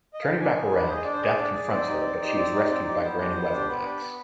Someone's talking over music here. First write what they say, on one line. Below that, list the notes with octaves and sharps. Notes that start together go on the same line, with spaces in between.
Turning back around, Death confronts her but she is rescued by Granny Weatherwax.
D#5
F5
G5
D4 G#5
G#4
D4 B4
C5
G#4
D#5
D4 D5
C5
G#4 D5
D4
G#4
C4 D5
D#4 G4
C4
D#4 G4
C4 D5
D#4 G4
C4
D#4 G4
B3 C5
D4 G4
B3
D4 G4
B3 B4
D4 G4
B3